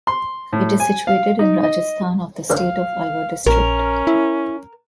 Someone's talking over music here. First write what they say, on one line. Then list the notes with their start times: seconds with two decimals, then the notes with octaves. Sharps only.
It is situated in Rajasthan of the state of Alwar District.
0.07 C6
0.53 A2
0.80 G#5
1.07 F5
1.39 D#4
1.63 D#5
2.56 F5
3.46 A#1 C#4 A#4
4.07 E4